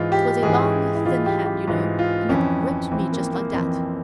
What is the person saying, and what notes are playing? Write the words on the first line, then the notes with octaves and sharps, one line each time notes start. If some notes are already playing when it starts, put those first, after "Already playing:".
"It was a long thin hand, you know, and it gripped me just like that."
Already playing: G#2 E3 F4
G4
G#2 E3 G#4
G#4
E4
G#2 E3 F4
G4
G4
G#2 E3 F4
F4
F2 E3 C#4
F2 E3 C4
A#3
A#3
F2 E3 C4